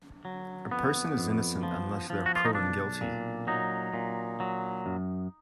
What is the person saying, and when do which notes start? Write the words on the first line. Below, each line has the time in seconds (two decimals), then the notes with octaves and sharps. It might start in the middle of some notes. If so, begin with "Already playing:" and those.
A person is innocent unless they are proven guilty.
0.25 F#3
0.71 F2 B3
1.18 F2
1.63 F3
2.10 F3
2.26 F#4
2.36 F4
2.45 D#4
2.55 B1 D4
3.01 A#2
3.47 F#3 D#4
3.94 A#2
4.40 F#3
4.86 F#2